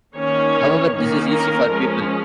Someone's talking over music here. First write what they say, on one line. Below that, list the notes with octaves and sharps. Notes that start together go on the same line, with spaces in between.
However, this is easy for people.
D#3 A#3 C#4 C#5
D#3 A#3 C#4
A#4
F3 G#3 C#4